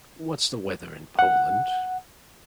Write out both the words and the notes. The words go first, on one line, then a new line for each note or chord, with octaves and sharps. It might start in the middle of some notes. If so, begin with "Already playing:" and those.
What's the weather in Poland?
F#5